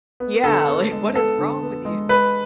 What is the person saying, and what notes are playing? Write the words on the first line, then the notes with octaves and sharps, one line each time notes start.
Yeah, like, "What is wrong with you?"
B3
D3 A4
B3
G#3
B3 A4
D3
B3
G#3
G#3 B4